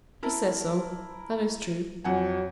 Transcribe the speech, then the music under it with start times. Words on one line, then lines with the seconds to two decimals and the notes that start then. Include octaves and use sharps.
"He says so, that is true."
0.23 E4 A#4 A5
2.04 F2 F#3 F#5 G#5